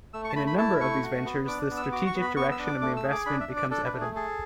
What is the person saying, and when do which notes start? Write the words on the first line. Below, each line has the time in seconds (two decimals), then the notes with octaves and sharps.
In a number of these ventures the strategic direction of the investments becomes evident.
0.14 A3 E6
0.25 C#6
0.30 A5
0.36 A3 B5
0.47 B5
0.58 E4 A5
0.80 A3 C#6
1.03 F#4
1.25 B3
1.48 D4 D6
1.70 B3
1.77 E6
1.92 F#4 D6
2.07 C#6
2.15 B3
2.22 B5
2.37 B3 C#6
2.52 E6
2.59 D4
2.66 D6
2.81 A3 D6
2.97 E6
3.04 G#4
3.12 D6
3.26 D4 B5
3.41 E5
3.49 D4
3.56 D5
3.70 D4 A4
3.85 B4
3.93 A3
4.01 G#4
4.16 G#4 A4